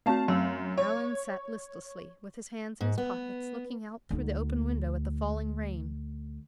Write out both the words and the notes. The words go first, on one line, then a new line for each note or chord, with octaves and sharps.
Allan sat listlessly, with his hands in his pockets, looking out through the open window at the falling rain.
A3 C4 F#4 F5 A5
F#2 F5 E6
C#5 C#6
G#2
B3
D2 D#4